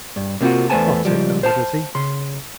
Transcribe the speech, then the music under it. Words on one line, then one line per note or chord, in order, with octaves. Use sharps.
"I'll take that liberty."
G2
C3 A#3 C4 D4 F4 F#4
E2 A3 B3 C5 G#5 A5
C#2 F#2 F3 G3
C5 F5 A5
C#3 C6